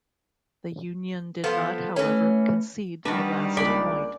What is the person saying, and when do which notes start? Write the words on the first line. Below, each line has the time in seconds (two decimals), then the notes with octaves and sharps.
The union did not, however, concede the last point.
1.44 F3 B3 A4
1.96 E3 A3 C#4
3.05 D#3 G3 D4 F#4 B4
3.57 C#2 A#3 D5 B5